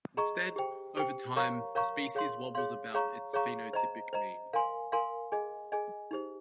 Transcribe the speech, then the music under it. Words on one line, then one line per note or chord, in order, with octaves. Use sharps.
Instead, over time, the species wobbles about its phenotypic mean.
G#4 D#5 A#5 C#6
G4 C5 G5
G4 C5 G5
A#4 C#5 F5 A#5 C#6
A#4 C#5 F5 A#5 C#6
G#4 C#5 F5 C6
G#4 C#5 F5 C6
G#4 C#5 F5 A#5 C#6
G#4 C#5 F5 A#5 C#6
C5 D#5 A#5
C5 D#5 A#5
A#4 F5 G#5 C6
A#4 F5 G#5 C6
G#4 D#5 G#5
G#4 D#5 G#5
D#4 G4 C5